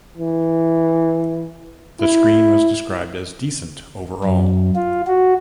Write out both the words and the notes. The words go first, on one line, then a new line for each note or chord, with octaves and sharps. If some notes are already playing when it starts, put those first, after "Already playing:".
The screen was described as "decent" overall.
E3
E4
F#2
F4
F#4